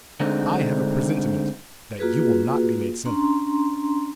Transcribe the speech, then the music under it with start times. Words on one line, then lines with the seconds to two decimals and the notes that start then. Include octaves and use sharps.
I have a presentiment that you will not be made senator.
0.20 D3 G#3 A3 C4 D4 D#4
1.99 A#3 F4 F#4 G#4 B4
3.05 C#4 D4 A#5 C6